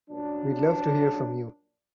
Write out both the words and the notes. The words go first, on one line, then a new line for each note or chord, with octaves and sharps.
We’d love to hear from you.
F#2 A#2 F#3 G3 D4